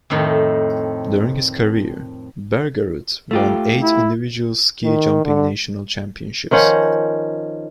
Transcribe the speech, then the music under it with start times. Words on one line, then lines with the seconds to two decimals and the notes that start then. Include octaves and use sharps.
During his career, Bergerud won eight individual ski jumping national championships.
0.10 F2 A2 D#3
3.31 A3 F4 G4
3.82 E4
4.84 D#3
5.25 D3
6.51 D#3 F3 C#4 F#5